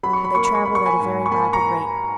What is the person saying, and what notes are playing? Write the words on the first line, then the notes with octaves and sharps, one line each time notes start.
But they travelled at a very rapid rate.
F#3 B5
C#6
B5
A#3 C#6
B5
C#6
A#3 B5
C#6
G#5 B5
G#2
C#6
A#3 G#5 B5
A#5 C#6